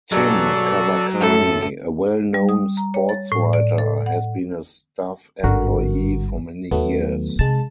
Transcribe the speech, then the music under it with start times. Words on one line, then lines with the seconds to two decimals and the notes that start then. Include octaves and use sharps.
Tim Kawakami, a well-known sportswriter, has been a staff employee for many years.
0.12 G2 B2 F#3 G#3 A4 D5
1.21 F#2 A2 A4
2.34 G3
2.49 D#6
2.77 A#5
2.94 C#5
3.09 A6
3.32 A2
3.53 D5
3.78 A4
4.06 F#5
5.43 G#1 G2 D3 F#4 A#4
6.71 D#2 F#3 A3 B3
7.39 C3 G#3 A5